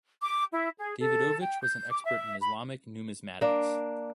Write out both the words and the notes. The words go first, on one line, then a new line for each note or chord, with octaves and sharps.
Davidovich was an expert in Islamic numismatics.
D6
E4
G#4
A4
G5
G6
D6
E5
B5
A#3 D4